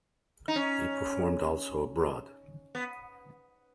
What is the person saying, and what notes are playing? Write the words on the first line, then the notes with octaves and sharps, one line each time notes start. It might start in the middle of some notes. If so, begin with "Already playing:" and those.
He performed also abroad.
D#4
C#4
B3